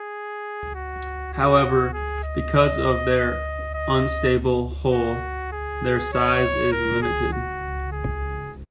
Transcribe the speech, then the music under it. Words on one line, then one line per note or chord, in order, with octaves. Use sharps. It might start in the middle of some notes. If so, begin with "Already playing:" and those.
However, because of their unstable hull, their size is limited.
Already playing: G#4
F#4
F#4
G#4
D#5
D#5
F#4
G#4
C#5
A#4
G#4
F#4
G#4